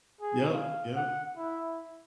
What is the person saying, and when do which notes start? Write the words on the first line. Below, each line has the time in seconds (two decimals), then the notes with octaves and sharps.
Yep, yep.
0.21 G#4
0.53 F5
0.96 F#5
1.37 E4